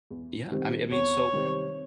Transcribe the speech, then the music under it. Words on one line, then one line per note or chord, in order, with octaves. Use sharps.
Yeah, I mean I mean, so
E2
C3 D#3 G3 C4
E2 C#5
C3 D#3 G3 C4